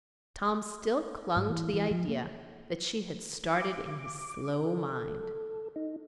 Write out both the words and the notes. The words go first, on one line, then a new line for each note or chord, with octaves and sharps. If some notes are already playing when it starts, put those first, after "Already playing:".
Tom still clung to the idea that she had started in his slow mind.
G#2
E3
E3
F3
A#3
D6
A4
D#4